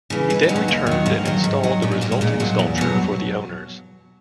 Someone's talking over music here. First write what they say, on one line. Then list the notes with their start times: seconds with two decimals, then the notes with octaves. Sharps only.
He then returned and installed the resulting sculpture for the owners.
0.10 C#3 E3
0.30 D#2 B4
0.43 D#4
0.49 D#3 F#3
0.56 C#4
0.68 D#2 A#3
0.87 D#3 F#3
1.06 G#2 A#3
1.25 D#3 F#3
1.44 G#2
1.63 D#3 F#3
1.82 A#2 C#4
1.92 D#4
2.01 F#3 A#3
2.12 A#3
2.21 A#2 G#3
2.40 F#3 A#3
2.59 E2
2.78 B2 F#3